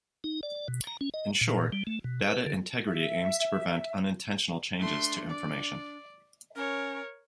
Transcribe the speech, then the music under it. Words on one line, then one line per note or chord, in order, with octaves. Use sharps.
In short, data integrity aims to prevent unintentional changes to information.
D#4
D5
B2
A#5
C#4
D#5
A#2
G3
A3
B2
B4
D3
E5
A3 D4 C6
D5
C#4 A#4 C#5